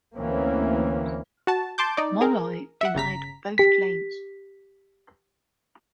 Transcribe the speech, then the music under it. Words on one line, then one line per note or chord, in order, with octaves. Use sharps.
Molloy denied both claims.
D2 E3 A#3 C4 C#4
F#4 A5
A5 C6 D6 G6
D#4 D5
G#4 A#4
E5 F#5
G1 C#3 A#5 B6
G4 B6